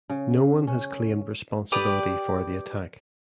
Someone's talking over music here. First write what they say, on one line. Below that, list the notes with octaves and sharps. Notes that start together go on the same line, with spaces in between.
No one has claimed responsibility for the attack.
C#3
C#4
G4 B4 D5 D#6